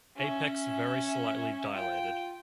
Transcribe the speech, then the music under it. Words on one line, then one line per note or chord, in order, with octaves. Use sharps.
Apex very slightly dilated.
C#4 E5
F4 G5